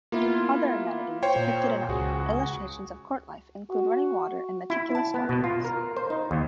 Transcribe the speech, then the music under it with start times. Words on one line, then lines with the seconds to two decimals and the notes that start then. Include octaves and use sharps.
Other amenities depicted in illustrations of court life include running water and meticulous gardens.
0.12 A#3 B3 E4 F4
1.23 C5 C#5 G5
1.36 A#2
1.89 C#2 F#4 G#4
3.70 F#4
4.70 E4
4.95 A5
5.14 B3
5.29 B2
5.44 F4
5.65 A#4
5.97 C5
6.10 D#4
6.31 D#2